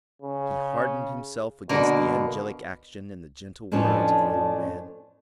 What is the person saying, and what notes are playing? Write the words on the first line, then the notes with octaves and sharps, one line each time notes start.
He hardened himself against the angelic action and the gentle words of the old man.
C#3
B2 D3 A#3
F2 A2 F3 C#4 D4 B4